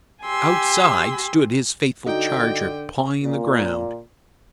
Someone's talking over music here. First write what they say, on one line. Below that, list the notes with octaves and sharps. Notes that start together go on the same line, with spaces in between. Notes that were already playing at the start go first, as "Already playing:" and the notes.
Outside stood his faithful charger, pawing the ground.
G4 G#5 C6 E6
D3 D#4 F#4 G5
A#2